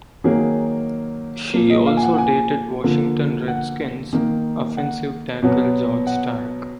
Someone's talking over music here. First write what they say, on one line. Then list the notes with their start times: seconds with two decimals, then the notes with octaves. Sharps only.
She also dated Washington Redskins offensive tackle George Starke.
0.24 D#3 F#3 A#3 G#4
1.54 A#2 F3 A#3
1.70 D#5
1.86 F5
1.97 G#5
2.03 F#5
2.14 F#5
2.18 G#5
2.83 D3 F3 A#3
3.48 F#5
4.13 D#3 A#3
4.77 F#5
5.42 B2 F#3 B3
6.07 F#5